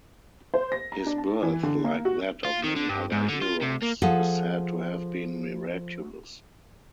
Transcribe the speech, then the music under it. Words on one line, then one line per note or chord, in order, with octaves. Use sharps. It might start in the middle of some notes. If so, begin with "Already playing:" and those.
His birth, like that of many other heroes, is said to have been miraculous.
C5
A#6
A#5
D4
A5
E3
D3
A#3
F#4
F4
D#3
D3
G2
G#2
D3
F4
C3
A#3
F3 G#4 A4 F#5